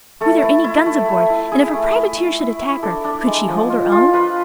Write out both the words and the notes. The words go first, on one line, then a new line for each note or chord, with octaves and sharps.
Were there any guns aboard, and if a privateer should attack her, could she hold her own?
A3 A4
E4
E4
A3
A3
E4
E4 G#4
A3
E4
E4
E4
E4
D4 A4
D4
G#3
F3
F4
F4
F4 B4